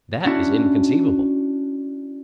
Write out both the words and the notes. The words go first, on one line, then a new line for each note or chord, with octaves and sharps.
That is inconceivable.
C#4 D4 E4 F#4 A5